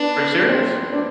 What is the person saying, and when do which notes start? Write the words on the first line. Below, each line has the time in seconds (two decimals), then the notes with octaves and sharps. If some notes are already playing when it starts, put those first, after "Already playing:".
Are you serious?
Already playing: B3 D4 B4
0.49 C4 C5
0.92 D4 D5